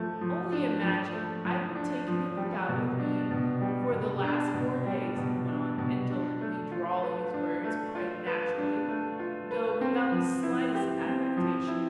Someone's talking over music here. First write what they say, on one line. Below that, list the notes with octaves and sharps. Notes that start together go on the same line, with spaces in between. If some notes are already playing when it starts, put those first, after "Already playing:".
"Only imagine, I've been taking him about with me for the last four days," he went on, indolently drawling his words, quite naturally though, without the slightest affectation.
Already playing: F3 A3
F3
D4
F3
A3
F3
D4
F3
G3
B2
D4
B2
G3
B2
D4
B2
G3
B2
D4
B2
D4
A3
F4
B4
D4
A3
F4
B4
D4
A3
F4
B4
C4
F3
E4
G4
C4
F3
E4